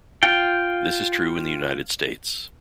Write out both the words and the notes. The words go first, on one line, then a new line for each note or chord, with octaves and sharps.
This is true in the United States.
F4 G5